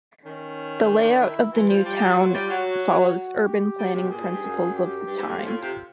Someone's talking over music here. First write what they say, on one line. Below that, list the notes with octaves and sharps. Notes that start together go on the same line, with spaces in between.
The layout of the new town follows urban planning principles of the time.
D#3 C#4
D4
E4
E3 F4
F3
G3
G3
F#3
F#3
G3
F#3 F#4
F#4
G4
G3
F3
C3
B2
A#2 G#4
G#2
G2
F#2
G4
G2
G#2
A2
G#2 F4
A2
C3